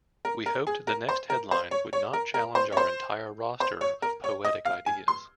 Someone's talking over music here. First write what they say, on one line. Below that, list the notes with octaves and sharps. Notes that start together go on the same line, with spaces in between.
We hoped the next headline would not challenge our entire roster of poetic ideas.
A#4
A#4
G#4
A#4
C5
A#4
C5
C#5
C#5
A#4
A#4
C5
C#5
C5
C5
C#5
A#4
C#5
D#5
F5
G#5
C6